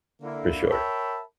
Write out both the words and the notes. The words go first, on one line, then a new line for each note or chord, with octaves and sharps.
For sure.
D3 A#3 E4
A#4 C#5 E5 G5 A5 B5